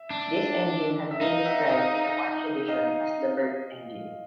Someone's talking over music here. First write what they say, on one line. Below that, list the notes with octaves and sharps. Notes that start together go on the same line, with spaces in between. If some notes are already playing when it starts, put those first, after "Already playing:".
This engine had been described in the March edition as the 'Burt' engine.
Already playing: E5
D4
E5
D#4 D#5 F5
E5 F#5
D#5 F5
D#5 F5